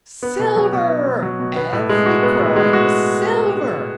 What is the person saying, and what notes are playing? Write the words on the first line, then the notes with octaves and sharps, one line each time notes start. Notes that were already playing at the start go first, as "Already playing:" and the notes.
Silver, every coin was silver!
B3
B2
F#3
B2
B3
B2
F#3
B2
B3
A2
G#3
F#4
B3
A2
G#3
F#4